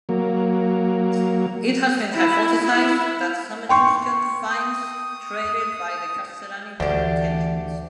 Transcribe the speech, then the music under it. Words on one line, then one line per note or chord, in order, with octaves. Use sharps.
It has been hypothesized that some Etruscan finds traded by the Castellani were imitations.
F#3 A#3
E4
E4
G5 C6 C#6
D#6
D2 E3 D4 G4